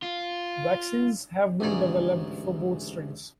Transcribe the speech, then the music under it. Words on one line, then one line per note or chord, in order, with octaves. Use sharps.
Vaccines have been developed for both strains.
F4
A1 D2 G#2 G#4 D5 A#5